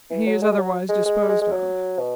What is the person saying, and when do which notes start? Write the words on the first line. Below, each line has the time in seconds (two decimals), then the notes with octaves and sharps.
He is otherwise disposed of.'
0.10 E3
0.27 F#3
0.42 G#3
0.52 G#3
0.59 F#3
0.89 G#3
1.06 G#3
1.29 G#3
1.42 G#3
1.52 F#3
2.00 B2